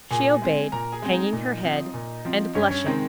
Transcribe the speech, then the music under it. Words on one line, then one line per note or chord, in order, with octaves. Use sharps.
She obeyed, hanging her head and blushing.
A#2 G#4 G#5
G#3 C4
A#2 A#4 A#5
G#4 G#5
G#3 C4
D#4 D#5
A#2
F3 C4
A#2
F3 C4
G2 C#4 C#5
C#4 C#5
D#3 G#3 C4 D#4 D#5